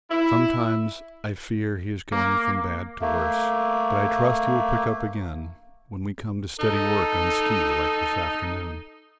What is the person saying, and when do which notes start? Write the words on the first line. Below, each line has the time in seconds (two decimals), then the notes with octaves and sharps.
Sometimes I fear he is going from bad to worse, but I trust he will pick up again when we come to steady work on ski like this afternoon.
0.10 E4
2.12 A#3
3.01 A3 A#3
6.60 D#4 A4